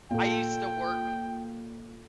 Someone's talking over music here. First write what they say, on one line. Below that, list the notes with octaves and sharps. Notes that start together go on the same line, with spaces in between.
I used to work
A#2 F4 A4 G5